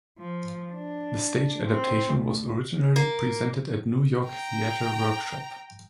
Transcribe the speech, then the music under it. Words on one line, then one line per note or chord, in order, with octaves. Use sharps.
The stage adaptation was originally presented at New York Theatre Workshop.
F3
D4
C4
D2
A#3
G5 A#5